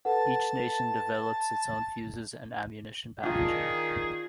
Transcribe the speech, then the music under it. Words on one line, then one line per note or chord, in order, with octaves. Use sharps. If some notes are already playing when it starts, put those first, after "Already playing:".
Each nation developed its own fuzes and ammunition packaging.
A4 B4 F#5 A5
D#3 D4 F4 G#4